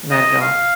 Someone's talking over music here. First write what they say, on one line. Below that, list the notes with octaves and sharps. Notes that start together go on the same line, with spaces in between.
not at all,
D#5
F5